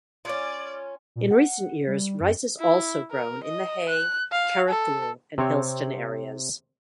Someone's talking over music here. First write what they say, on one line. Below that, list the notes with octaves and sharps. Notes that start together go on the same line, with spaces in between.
In recent years, rice is also grown in the Hay, Carrathool and Hillston areas.
C#4 F4 D5
A#2
F#5
G3
F#2
E4
A#4
D#5
F#6
F5
A4
C3 C4 C#5